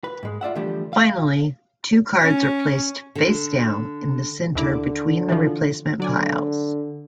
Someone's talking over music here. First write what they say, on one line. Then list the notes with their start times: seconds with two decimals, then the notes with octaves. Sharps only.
Finally, two cards are placed face down in the center between the replacement piles.
0.04 B4
0.23 G#2 G#3
0.41 F4 D5 E5 F#5
0.55 D3 E3 F3 G3 A3 G4
0.93 F5
2.21 C#4
3.15 D3
4.55 D#2 D3 E4 D6
5.28 E3 F3
6.00 D3 F#3 D5 G#5